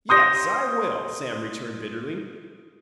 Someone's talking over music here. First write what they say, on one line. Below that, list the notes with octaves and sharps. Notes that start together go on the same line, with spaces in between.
"YES, I will!" Sam returned bitterly.
C6 D#6 G6 A#6